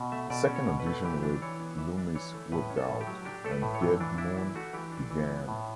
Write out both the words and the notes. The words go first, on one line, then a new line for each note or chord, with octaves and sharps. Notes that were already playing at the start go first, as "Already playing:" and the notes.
A second audition with Loomis worked out, and Dead Moon began.
Already playing: B2
A3 E5
B2 D5
C#4
C#5
B2
B4
A3
E3 G4
D4
E3 C#5
B3
E3 E5
D4
E3 C#5
A3
A2 B4
C#4
A4
A2
G4
F#3
D4 G4
A3 A4
B4
A2
C#5
E3
E3 D4
D4 E4
E3 E4
A3 F#4
E3 G4
D4
E3
B3
A2